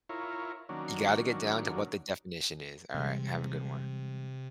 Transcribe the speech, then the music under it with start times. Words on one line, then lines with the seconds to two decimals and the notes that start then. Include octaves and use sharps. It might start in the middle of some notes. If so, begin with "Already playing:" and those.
You gotta get down to what the definition is, aright, have a good one.
0.09 E4 F4 A#4 C#5
0.69 D#3 F#3 A#3 C#4 D4
2.94 C3 E3 G3 G#3